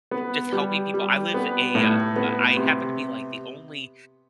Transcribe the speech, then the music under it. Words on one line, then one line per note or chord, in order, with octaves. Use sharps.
just helping people. I live a, uh, b I happen to be like the only
B3
G3
G3
B3
A2
B3
C3